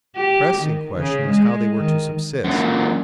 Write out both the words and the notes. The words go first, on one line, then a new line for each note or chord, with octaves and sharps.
The pressing question was how they were to subsist.
G4
D#3
C#3
G#3
D#3
F#2 A#2